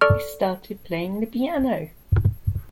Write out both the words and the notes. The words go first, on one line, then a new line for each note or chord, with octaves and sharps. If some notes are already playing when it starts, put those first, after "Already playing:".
I started playing the piano.
A4 D5 C#6 F6